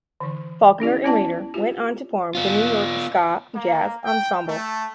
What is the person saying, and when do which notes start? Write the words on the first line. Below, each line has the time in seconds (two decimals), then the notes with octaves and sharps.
Faulkner and Reiter went on to form the New York Ska Jazz Ensemble.
0.20 D3 E3
0.80 C#4 E4 G4 D5
1.04 B3 C#4 E4 D5 G5 A5
1.54 F4 G4
2.35 B3 F4
3.54 A#3
4.03 G5
4.48 A3